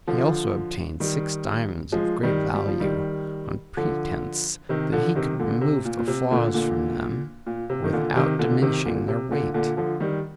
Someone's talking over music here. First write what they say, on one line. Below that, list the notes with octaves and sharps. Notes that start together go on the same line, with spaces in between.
He also obtained six diamonds of great value, on pretence that he could remove the flaws from them without diminishing their weight.
D3 F3
D#3 G3
F3 G#3
D#3 G3
G3
F3
D#3 G3
D3 F3
C3 D#3
D3 F3
C3 D#3
A#2 D3
C3
A#2
A#2
C3
A#2 D3
A#2 D3
A#2
C3
D#3
A#2 D3
C3 D#3
A#2 D3
C3 D#3
A#2 D3
C3
A#2 D3
A#2 D3
D3 F3
D#3 G3